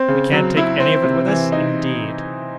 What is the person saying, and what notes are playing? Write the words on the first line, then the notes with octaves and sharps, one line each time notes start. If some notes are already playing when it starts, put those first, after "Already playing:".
"We can't take any of it with us, indeed?"
Already playing: C4
C#3
F#3
E4
C4
C3
E3
D#4